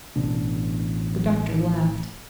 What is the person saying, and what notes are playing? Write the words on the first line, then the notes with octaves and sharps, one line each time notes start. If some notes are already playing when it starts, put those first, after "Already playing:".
The doctor laughed.
A1 B2 D4